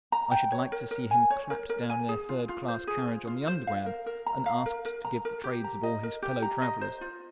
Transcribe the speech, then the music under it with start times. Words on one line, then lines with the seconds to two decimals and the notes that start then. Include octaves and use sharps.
I should like to see him clapped down in a third class carriage on the Underground, and asked to give the trades of all his fellow-travellers.
0.12 A#5
0.31 G5
0.52 C#5
0.72 A#4
0.91 A#4
1.11 G#5
1.30 C#5
1.50 A#4
1.70 A#4
1.90 G#5
2.09 G#4
2.29 F4
2.49 F4
2.68 C5
2.87 G#4
3.07 F4
3.27 F4
3.48 C5
3.67 F5
3.86 A#4
4.06 A#4
4.26 A#5
4.46 F5
4.66 A#4
4.85 A#4
5.05 A#5
5.25 A#4
5.44 G4
5.64 A#5
5.83 D#5
6.03 A#4
6.22 G4
6.42 A#5
6.62 D#5
6.81 C5
7.01 F4